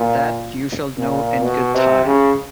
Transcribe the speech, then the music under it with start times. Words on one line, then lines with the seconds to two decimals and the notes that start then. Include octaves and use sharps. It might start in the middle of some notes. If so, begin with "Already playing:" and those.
That you shall know in good time.
Already playing: A#2
0.98 A#2
1.43 B2
1.74 C3
2.05 C#3